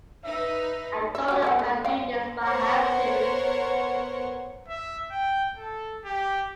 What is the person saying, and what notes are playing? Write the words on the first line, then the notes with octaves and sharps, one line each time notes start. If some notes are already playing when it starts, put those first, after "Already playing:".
I don't know if I can do this, but I have to.
D#4 B4 E5
E5
F#3 G4
A#4 D#5 F#5
A3
F5 G5
B3 A#4 C5 C#5 F#5 C#6
E5
G5
A4
G4